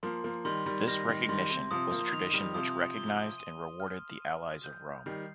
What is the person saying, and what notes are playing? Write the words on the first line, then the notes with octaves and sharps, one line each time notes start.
This recognition was a tradition which recognized and rewarded the allies of Rome.
F3 A#3 C6
F3 A#3
D#3 G3 C6
D#3 G3
D#3 G3 A#6
D#3 G3
D#3 G3 C6
C3
C3 F3 D#6
F3 A#3
D#3 F7
D#3 G3
C3 F3 D#6
G7
D#7
F6
D#7
G6
D#3 G3 C7